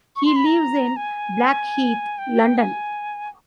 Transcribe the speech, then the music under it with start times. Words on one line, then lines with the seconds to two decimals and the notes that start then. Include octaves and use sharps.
He lives in Blackheath, London.
0.16 C#6
0.26 C6
0.36 B5
0.46 A#5
0.96 G#5
2.18 G5
2.59 G#5